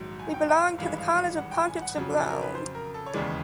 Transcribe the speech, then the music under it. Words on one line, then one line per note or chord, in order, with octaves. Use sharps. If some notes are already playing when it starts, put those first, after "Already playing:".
We belonged to the college of pontiffs of Rome.
Already playing: A#1 G#2 D#3 F#3
G#5
G5
G5
F5
G#1 G2 E3 G#3 F5
F5
F5
F#5
G5
G#5
F#5
F2 C#3 F#3
A4
A#4
B4
C5
A#4
A4
C#5
E1 D#2 C#3 E3 G#3 D5